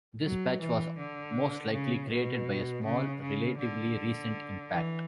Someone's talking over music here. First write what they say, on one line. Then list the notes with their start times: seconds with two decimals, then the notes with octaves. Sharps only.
This patch was most likely created by a small, relatively recent impact.
0.24 F#3
0.61 E3
0.98 D3
1.72 C#3
2.10 B2
2.84 C#3
3.21 C#3
3.59 D3
4.70 E3